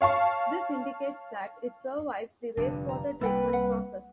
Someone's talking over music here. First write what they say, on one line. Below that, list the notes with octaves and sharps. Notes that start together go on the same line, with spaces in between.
This indicates that it survives the wastewater treatment process.
C#5 F5 A5 C#6
F1 G2 D3 D4
A#5
C2 G3 A#3 E4 B4 F#5 G5
F#5